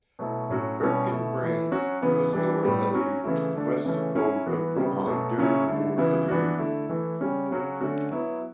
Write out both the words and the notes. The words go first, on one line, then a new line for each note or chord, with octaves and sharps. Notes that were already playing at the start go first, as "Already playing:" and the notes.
Erkenbrand was lord of the Westfold of Rohan during the War of the Ring.
B2 F#3 A3 E4
A2 F#3 A3 C#4 F#4
B2 G3 C#4 E4
B2 A3 E4
E3 A3 E4
F#3 C#4 F#4
C#3 E3 B3
E3 G3 D4
A2 G3 B3
F#3 C#4 F#4
C#3 E3 A3 E4
D3 A3 D4
C#3 E3 A3 C#4
F#3 C#4 E4
E3 B3 F#4
C#3 G3 B3
B2 F#3 A3
C#3 F#3 C#4 E4
D3 A3 E4
C#3 E3 B3 E4
E3 B3 D4 F#4
D3 A3 E4
E3 A3 E4
C#3 G3 C#4
C#3 F#3 C#4 F#4
D3 A3 C#4 F#4
F#3 B3 E4